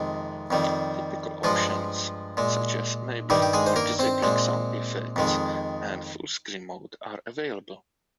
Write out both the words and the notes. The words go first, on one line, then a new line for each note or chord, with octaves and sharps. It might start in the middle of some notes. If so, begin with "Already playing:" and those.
Typical options, such as enabling or disabling sound effects and full-screen mode are available.
Already playing: F2 C3 D#3 G#3
F2 D#3 G3
G2 F3 G#3 F4
A#2 G#3
G2 D#3 G3 G4
G4
G#3 G#4
C5
A#3 A#4
C4 C5
A#2 G#3
F2 D#3 G#3